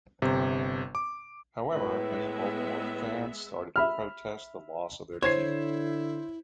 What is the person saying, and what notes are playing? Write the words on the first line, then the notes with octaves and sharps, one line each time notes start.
However, many Baltimore fans started to protest the loss of their team.
G1 C3
D6
A2 G#3 B3 B4 E5
E5 B5 F6
D3 E4 C5 C#5 G#6 C7